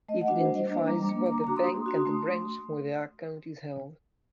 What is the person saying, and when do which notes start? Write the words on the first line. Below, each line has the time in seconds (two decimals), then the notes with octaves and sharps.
It identifies both the bank and the branch where the account is held.
0.09 A3 D#5
0.21 F#5
0.28 D4 F#4
0.35 C5 D#5
0.48 G3
0.67 A#3 D4
0.87 G3 A#5 D6
1.07 A#3 D4
1.26 A#3 A#5 D6
1.46 D4 F#4 A#5 D6
1.56 C6 D#6
1.67 A#3
1.86 D4 F#4
2.05 A3